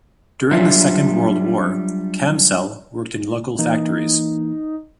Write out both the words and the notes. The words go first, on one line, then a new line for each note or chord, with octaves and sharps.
During the Second World War, Camsell worked in local factories.
F#3 G3 D4 F4 E5
E3 A#3 D#4